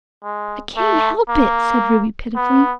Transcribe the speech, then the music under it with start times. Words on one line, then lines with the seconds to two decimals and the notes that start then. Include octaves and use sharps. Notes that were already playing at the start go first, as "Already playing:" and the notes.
"I can't help it," said Ruby pitifully.
0.24 G#3
0.77 A3
1.29 A#3
2.36 B3